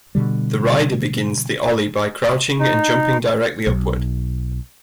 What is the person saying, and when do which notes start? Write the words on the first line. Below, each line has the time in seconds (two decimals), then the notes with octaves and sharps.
The rider begins the ollie by crouching and jumping directly upward.
0.15 B2 D3 G3
2.60 D#4
3.67 B1